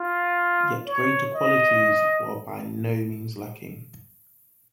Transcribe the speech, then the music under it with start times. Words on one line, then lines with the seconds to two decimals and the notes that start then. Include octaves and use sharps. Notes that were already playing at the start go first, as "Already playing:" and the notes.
Yet greater qualities were by no means lacking.
Already playing: F4
0.87 C#5
1.35 D#5